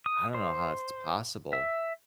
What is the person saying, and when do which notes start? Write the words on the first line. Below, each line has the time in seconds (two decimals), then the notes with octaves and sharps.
I don't know how it's possible.
0.06 D#6
0.35 C5
1.53 E5